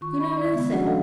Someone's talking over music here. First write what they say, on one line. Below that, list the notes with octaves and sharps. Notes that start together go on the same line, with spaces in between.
"You know nothing."
D#3 F4 C#6
D#5 B5 C#6
D5
C#3 G#3 B3
F3 C#4 D4 F#4 G#4 F#5
A4 D#5 F5